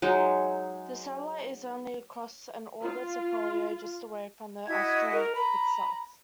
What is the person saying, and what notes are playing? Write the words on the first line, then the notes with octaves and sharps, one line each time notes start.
The satellite is only across and orbits Apollo just away from the asteroid itself.
F#3 G#3 D#4
F4
E4 F#4 D#5 G#6
A#4
A#5 B5